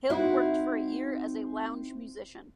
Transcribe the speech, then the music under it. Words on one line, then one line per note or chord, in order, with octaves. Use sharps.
Hille worked for a year as a lounge musician.
C4 D#4 E4 F#4